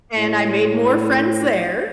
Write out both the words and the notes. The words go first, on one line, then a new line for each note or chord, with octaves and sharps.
And I made more friends there.
A2